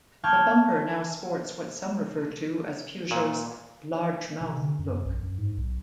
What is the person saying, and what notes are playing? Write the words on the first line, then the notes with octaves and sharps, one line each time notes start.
The bumper now sports what some refer to as Peugeot's "large mouth" look.
G5 A5 C#6 D6 F6 G#6
A#2
C3
D3
F#2
A#1
F#2
G#2
B1